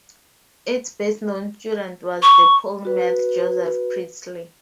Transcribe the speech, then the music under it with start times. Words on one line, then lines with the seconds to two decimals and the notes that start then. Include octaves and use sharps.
Its best-known student was the polymath Joseph Priestley.
2.23 C#6
2.85 F#4 B4